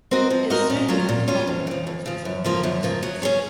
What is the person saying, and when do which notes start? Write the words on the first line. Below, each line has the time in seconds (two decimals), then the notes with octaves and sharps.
It soon became popular amongst its audience.
0.11 C4 F#4 A#4 D#5
0.30 F3
0.50 C4 F#4 A#4 D#5
0.70 A#2
0.89 F#3 C#4 F4
1.09 A#2
1.28 F#3 C#4 F4
1.47 F2
1.67 C#3 F3
1.87 F2
2.06 C#3 F3
2.25 F#2
2.44 C#3 F3 A#3 F4
2.63 F#2
2.83 C#3 F3 A#3 F4
3.03 F#3
3.22 C#4 G#4 C#5